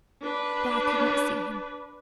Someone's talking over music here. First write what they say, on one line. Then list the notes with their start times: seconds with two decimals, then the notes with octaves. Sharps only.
But I could not see him.
0.22 D4 B4